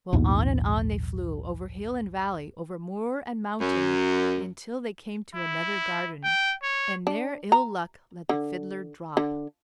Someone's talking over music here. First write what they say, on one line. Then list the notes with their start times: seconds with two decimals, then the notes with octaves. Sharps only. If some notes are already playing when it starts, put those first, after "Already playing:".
Well; on and on they flew, over hill and valley, over moor and mountain, until they came to another garden, and there Ill-Luck let the Fiddler drop.
0.13 A#1 D#2 G#2 B3
3.61 F#2
5.35 E4
6.24 G5
6.63 C#5
7.07 D4
7.52 A#5
8.29 D3
9.17 D3